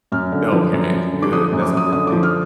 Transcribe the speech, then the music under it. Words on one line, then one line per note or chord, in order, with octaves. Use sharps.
Okay, good. That's a good thing.
F#2 F6
D3
F3
F#2
F#2
D3
D6
F3 D#6
F#2
D6
F#2 D#6
D3 D#6
D6
F3
F6